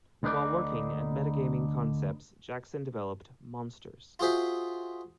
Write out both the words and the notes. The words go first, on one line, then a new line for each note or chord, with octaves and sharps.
While working at Metagaming Concepts, Jackson developed Monsters!
D2 D3 D#4 B4 D5
F4 F#4 G#4 C5 E5